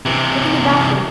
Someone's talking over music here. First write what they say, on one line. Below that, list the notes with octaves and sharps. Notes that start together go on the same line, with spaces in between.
Look in the bathroom!
C3 E3